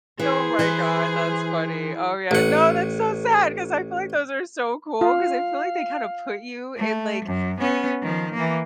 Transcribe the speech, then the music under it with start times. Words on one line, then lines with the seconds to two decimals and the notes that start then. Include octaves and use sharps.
Oh my god, that's funny. Oh, yeah, no, that's so sad 'cause I feel like those are so cool 'cause I feel like they kinda put you in, like,
0.19 E3 G#4 C5
0.59 E3
2.31 A1 F#5
5.01 F4 F5
6.77 A3
7.25 F#2
7.60 B3 C#4
8.02 D#3 F3
8.34 E3 A#3